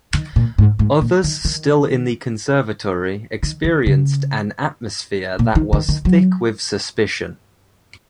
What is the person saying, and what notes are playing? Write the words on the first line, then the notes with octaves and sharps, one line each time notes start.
Others still in the Conservatory experienced an atmosphere that was thick with suspicion.
D#3
A#2
G#2
G#2
A#2
D#3
D#3
D#3
D#3
C#3
A#2
D#3
D#3
D#3
F#3